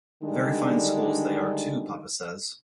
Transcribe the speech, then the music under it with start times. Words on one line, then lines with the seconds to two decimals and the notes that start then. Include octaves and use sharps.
Very fine schools they are, too, papa says.
0.23 D3 D#3 G3 G#3 D4 D#4